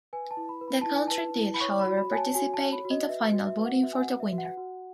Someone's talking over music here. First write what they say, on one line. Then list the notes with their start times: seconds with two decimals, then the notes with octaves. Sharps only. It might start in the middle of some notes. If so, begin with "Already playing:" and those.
The country did however participate in the final voting for the winner.
0.13 B4 G#5
0.31 A5
0.37 E4
0.49 B5
0.61 B4
0.68 B5
0.81 E4 A5
0.95 G#5
1.08 B4 A5
1.37 E4
1.54 B5
1.60 C#5 C#6
1.80 B5
1.85 F#4
1.97 B5
2.10 C#5 G#5
2.16 A5
2.34 F#4 G#5
2.54 A5
2.60 C#5
2.73 B5
2.85 F#4
2.91 D#5
3.02 D#5
3.09 B4 E5
3.28 D#5
3.33 F#4
3.47 E5
3.58 B4
3.65 F#5
3.83 F#4 E5
3.93 G#5
4.01 F#5
4.08 B4
4.20 E5
4.32 F#4
4.38 F#5
4.57 F#4